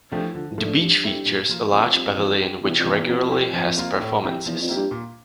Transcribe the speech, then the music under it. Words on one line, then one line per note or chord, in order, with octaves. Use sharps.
The beach features a large pavilion which regularly has performances.
C3 F3 A3 D4 G4
E3
D3 F3
E3
F3 A3
D3
G2 F3
A3 C4 E4 G4
A#2
F3 A#3 F4
F2 E3
G3 C4 F4
E3
G3 D4 G4
E2 C3
F2
E3 A#3 E4 G4
E2
F2 C3
G3 C4 G4
F3
A#3 F4
A2
F3 C4 E4 G4
E2 F3
F2
A#3 E4 G4
G2
A#2